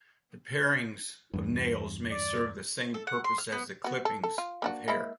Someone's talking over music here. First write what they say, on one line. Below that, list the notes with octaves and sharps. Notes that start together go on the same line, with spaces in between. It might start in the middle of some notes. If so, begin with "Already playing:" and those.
The parings of nails may serve the same purpose as the clippings of hair.
E2 G2
D5
A4
F#5
C6
F6
B3
B3 F#4
A4
A4
F4
A#3 D4 F#4
G#3 A#3 E4